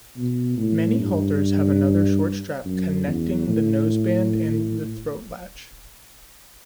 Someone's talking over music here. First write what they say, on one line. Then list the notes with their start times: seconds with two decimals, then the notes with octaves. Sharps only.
Many halters have another short strap connecting the noseband and the throatlatch.
0.17 B2
0.58 A2
0.99 G2
2.65 F#2
3.07 E2
3.48 A2